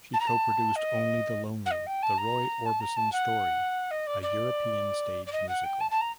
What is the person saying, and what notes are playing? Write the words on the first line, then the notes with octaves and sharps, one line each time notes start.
She co-produced "Only the Lonely: The Roy Orbison Story", a European stage musical.
A5
A#5
A5
D#5
F#5
D#5
G5
A5
A#5
A5
A#5
A5
F#5
D#5
D5
D5
D5
D#5
F#5
G5
A5
A5
A#5